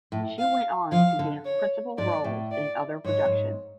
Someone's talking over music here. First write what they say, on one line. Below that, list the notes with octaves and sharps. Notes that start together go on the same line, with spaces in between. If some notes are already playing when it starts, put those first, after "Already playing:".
She went on to dance principal roles in other productions.
A2
F5
F3 F5
D3
C#5
G#2 D5
A2
D5
G#2 C#5
G#2